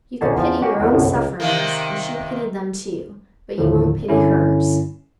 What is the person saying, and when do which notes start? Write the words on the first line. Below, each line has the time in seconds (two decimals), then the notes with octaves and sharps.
You could pity your own sufferings; and she pitied them, too; but you won't pity hers!
0.21 A#1 D3 C#4 D#4 G#4 A5
0.36 E2 F3
0.62 A#3 C#4 F#4 G4
0.80 E2 F#3 G#3
0.92 G1 C2 F#2 A2
1.11 C#2
1.40 C3 D#3 A#3
3.58 D#2 A2 D3 F3
4.09 G2 D3 C#4 E4